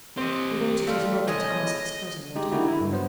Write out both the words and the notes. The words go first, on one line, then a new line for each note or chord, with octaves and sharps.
He wanted his mother to ask his cousin what had happened.
C4 G4 D#5
G3 A3 F5 C6 F6
B2 G#3 C#5 D#5 G#6
G#3 D#4 G4
D3 A#3 D#4 E4 F#4 G4
E4
G2
F#3 B3 C5